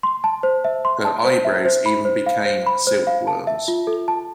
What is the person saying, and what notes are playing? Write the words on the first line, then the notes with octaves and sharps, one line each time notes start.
Her eyebrows even became silkworms.
C6
A5
C5
E5
C6
A5
C5
E5
C5
B5
C5
F5
C5
B5
C5
F5
A5
E5
F4
A4
A5